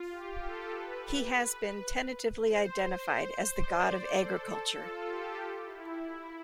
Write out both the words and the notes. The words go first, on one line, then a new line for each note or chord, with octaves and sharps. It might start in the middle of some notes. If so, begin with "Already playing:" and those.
He has been tentatively identified as the god of agriculture.
Already playing: F4
G4
A4
B4
C5
C5
D5
A4
F4
G4
G4
E4